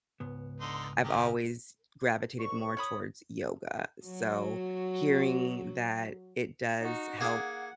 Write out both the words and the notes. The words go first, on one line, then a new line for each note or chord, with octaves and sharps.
I've always gravitated more towards yoga. So, hearing that it does help,
C#2 G#2 B3
D3 D#4 C6
G4 G#4 A#4
C2 C#6
C#5 B5 D#6
F#3 F#4
D#4 F#4
A#3 G#4 F#5 D6